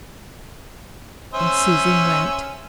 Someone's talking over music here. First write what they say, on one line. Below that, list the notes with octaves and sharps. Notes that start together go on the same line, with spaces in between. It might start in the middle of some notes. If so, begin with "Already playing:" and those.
And Susan went.
C#4 C5 E5